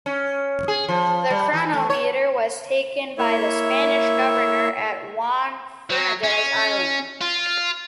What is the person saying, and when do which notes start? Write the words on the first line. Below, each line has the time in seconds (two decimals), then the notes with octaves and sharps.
The chronometer was taken by the Spanish governor at Juan Fernandez Island.
0.06 C#4
0.68 G#4
0.89 F3
1.30 G3
1.53 E3
1.73 A3
1.90 C#5
3.18 A#3 E4 C#5 E5
5.90 F#3
6.23 C#4
7.21 F4